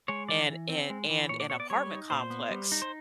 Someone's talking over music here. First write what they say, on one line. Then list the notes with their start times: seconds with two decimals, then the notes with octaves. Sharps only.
and and and an apartment complex.
0.08 G#3 C#5
0.28 E3 D5
0.49 E3
0.69 C4
0.90 G#3
1.10 E3
1.29 A#2 C#5
1.40 D5
1.50 B3 C#5
1.60 D5
1.70 G3 C#5
1.91 D#4
2.10 A#2 C5
2.30 B3
2.51 G3
2.72 D#4
2.82 C5